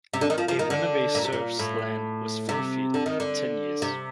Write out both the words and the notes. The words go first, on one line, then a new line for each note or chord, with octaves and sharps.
A runaway serf's land was forfeit after ten years.
C3
D3
D#3
F3
F3
D#3
D3
A#2
C3
A#2
A2
C3
D3
D#3
D3
C3